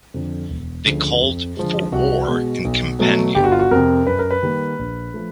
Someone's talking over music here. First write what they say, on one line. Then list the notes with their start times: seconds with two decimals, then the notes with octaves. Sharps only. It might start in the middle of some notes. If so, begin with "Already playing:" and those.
They called for war in Campania.
0.14 F2 D3 F3
0.50 E1
0.86 D2 C#3 F3
1.22 F2
1.57 D3 F3 G#3
1.92 C2 F#4
2.28 B2 G#3
2.65 B1
2.99 B2 F#3 A3
3.35 G1 G4
3.44 F#4
3.52 F4
3.59 F#4
3.71 F2 C3 A#4
4.07 F#2 B4
4.19 A#4
4.31 B4
4.43 D#3 G3 A#3
4.79 A#1
5.14 F3 A3